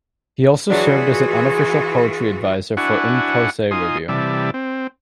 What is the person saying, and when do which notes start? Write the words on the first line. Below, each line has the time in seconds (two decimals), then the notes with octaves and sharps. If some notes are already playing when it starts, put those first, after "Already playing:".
He also served as an unofficial poetry advisor for "In Posse Review".
0.70 E3 F#3 D4 F4 F#4 G#4
2.77 D4 E4 F#4 F#5 G#5 C#6
3.71 D#4 F4 G#5 C6 D#6
4.09 C3 E3 G3 D5 E5 A5
4.54 C4